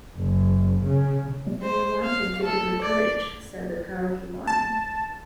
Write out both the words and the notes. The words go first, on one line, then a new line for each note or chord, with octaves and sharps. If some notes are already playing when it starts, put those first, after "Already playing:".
"And I want him to give me courage," said the Cowardly Lion.
F#1
C#3
C5
F5
A4
D5
A5